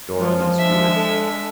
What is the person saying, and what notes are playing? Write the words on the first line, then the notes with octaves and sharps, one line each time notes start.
Doron is Jewish.
F3 G#3 F4
G#3 D4 E5
A4